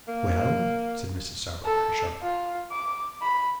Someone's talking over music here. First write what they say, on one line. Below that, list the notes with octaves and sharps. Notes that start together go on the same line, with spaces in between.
'Well,' said Mrs. Sowerberry, sharply.
A#3
A4
F4
D6
B5